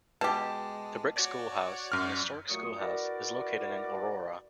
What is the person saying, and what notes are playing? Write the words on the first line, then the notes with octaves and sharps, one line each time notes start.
The Brick School House, an historic schoolhouse, is located in Aurora.
B2 G#3 G4 A5
F#4 C#5 D5
F#2 F6
A#2 F#3 A3 C#6 D#6
E4 F#4 A#4 B4 D5